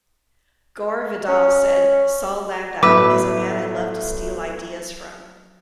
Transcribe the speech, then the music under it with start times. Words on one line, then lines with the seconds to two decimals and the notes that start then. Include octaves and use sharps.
Gore Vidal said, Saul Landau is a man I love to steal ideas from.
1.28 C#4
2.83 G1 A2 F#3 B4 D6 E6